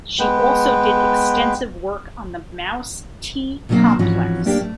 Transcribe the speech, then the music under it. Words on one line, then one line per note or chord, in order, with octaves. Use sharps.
She also did extensive work on the mouse t-complex.
G#3 B3 B4 G5
B2 D3 F#3 G#3 A#3 C4
G#2 E3 F3 C4 C#4 F#4
A#3 D4 G4
A3